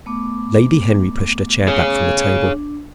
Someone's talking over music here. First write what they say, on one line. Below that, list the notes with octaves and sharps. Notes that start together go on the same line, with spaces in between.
Lady Henry pushed her chair back from the table.
A3 B3 D6
G#4 C#5
D4